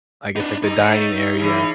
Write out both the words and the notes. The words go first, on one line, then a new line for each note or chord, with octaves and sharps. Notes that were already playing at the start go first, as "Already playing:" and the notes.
I guess, like, the dining area
B3 D4 D#4
G2 D4 D#4
A3 B3 C#4
C#3 E3